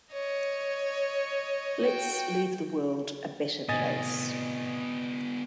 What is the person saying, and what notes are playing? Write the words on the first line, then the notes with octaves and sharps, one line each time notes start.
Let's leave the world a better place.
C#5 D#5
F#4 G5
A2 C3 D#3 B3 F4 D#5 G#5 A6